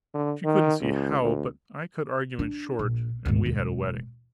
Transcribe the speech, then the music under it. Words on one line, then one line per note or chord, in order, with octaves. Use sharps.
She couldn't see how, but I cut argument short and we had a wedding.
D3
D#3
C#2
D2
D4
A#1
G#1 D2
E1